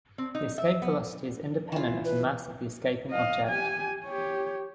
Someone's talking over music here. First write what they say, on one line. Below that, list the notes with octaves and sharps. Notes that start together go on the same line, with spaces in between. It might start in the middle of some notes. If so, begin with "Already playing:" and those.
The escape velocity is independent of the mass of the escaping object.
C4
D#4
E5
B3
E3 F4
B4
D#5 F5
G4 G#5
G4 C#5